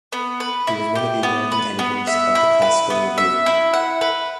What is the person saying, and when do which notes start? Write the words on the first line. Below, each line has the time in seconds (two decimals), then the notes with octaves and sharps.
He was one of the American editors of the "Classical Review".
0.13 B3
0.40 B4
0.67 E4
0.95 G4
1.23 B3
1.52 B4
1.79 B3
2.07 E5
2.35 E4
2.62 B4
2.90 B3
3.18 E5
3.46 E4
3.74 F#5
4.01 B4